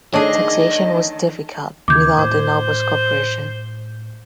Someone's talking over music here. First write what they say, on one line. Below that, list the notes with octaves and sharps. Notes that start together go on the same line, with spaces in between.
Taxation was difficult without the nobles' cooperation.
D#3 A3 D4 G#4 C#5 D#5 A5
D#2 C#3 E3 D6 G6 G#6
A2 C5